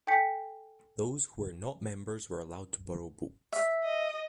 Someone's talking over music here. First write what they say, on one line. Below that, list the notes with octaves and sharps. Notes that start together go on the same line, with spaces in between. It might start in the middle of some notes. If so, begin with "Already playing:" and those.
Those who were not members were allowed to borrow books.
A4 G5 G#5 G6 B6 C#7
E5
D#5